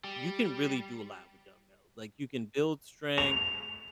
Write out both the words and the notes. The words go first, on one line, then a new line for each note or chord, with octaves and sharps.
you can really do a lot with dumbbells, like, you can build strength,
G3
F7